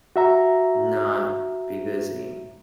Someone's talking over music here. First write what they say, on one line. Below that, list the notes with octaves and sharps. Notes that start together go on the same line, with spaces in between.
not be busy,
F#4 E5 A#5